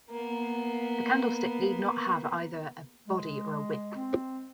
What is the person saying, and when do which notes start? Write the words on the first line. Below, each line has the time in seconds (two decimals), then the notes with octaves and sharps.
A candlestick need not have either a body or a wick.
0.11 A#3 B3
3.08 G#3
3.95 C4